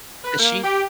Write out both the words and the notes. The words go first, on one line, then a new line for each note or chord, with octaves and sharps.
And she
B4
A#3
G4